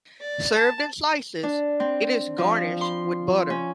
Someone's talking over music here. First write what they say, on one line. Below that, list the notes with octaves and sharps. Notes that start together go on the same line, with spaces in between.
Served in slices, it is garnished with butter.
D5
A5
D4
C4
F3
C6
C#4